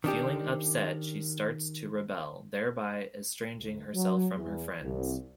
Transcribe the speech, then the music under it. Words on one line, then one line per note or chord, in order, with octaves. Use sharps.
Feeling upset, she starts to rebel, thereby estranging herself from her friends.
D#3 D4 G4
D2
F#3
E2
C2